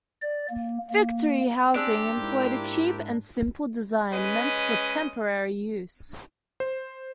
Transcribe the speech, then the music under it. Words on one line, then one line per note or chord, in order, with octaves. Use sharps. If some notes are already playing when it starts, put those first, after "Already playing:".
Victory Housing employed a cheap and simple design meant for temporary use.
D5
A#3
A#3
C4 D4 G4 G#4
G#2 A#3 E4
G#3 C#4 B4 D#5
C5